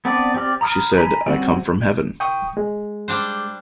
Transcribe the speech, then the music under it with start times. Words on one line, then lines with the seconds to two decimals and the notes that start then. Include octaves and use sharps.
She said: "I come from Heaven".
0.05 B3 C4 D4 B4 D5
0.34 C4 G4 D5 F6
0.61 A#5 B5 D#6 F6
0.98 G#5 A#5 B5
1.26 G3 C4 C#4 F#4
2.20 G5 C#6 D#6
2.57 G#3
3.08 G3 D4 C5